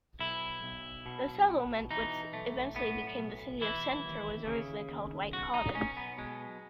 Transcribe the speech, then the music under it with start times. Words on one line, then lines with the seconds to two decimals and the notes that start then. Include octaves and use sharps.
The settlement which eventually became the City of Center was originally called White Cottage.
0.19 B1 E4
0.63 B1
1.06 B2
1.49 B2
1.91 E3 D#4
2.32 B1 A3
2.76 A2 B3
3.18 B1
3.61 E3 E4
4.05 D#2
4.47 C#3
4.90 D#2
5.32 B1 F#4
5.54 D#4
5.75 B1 C#4
5.97 B3
6.18 B2 G#3